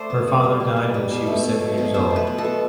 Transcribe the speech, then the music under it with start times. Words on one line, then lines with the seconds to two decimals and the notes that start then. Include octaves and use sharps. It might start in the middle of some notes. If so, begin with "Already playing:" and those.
Her father died when she was seven years old.
Already playing: A3 C5 D5
0.10 B3
0.27 G3
0.44 G3
0.60 B2
0.76 G3
0.94 G3
1.11 B2
1.27 A3
1.43 B2
1.60 F#3
1.78 B2
1.94 B2 C5
2.10 A3
2.16 B4
2.27 B2
2.38 A4
2.45 B2